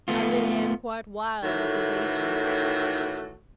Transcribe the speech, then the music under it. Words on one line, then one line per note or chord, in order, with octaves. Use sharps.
I really am quite wild with impatience.
A3 B3 F4
A2 D#3 E3 A3 F#4 C#5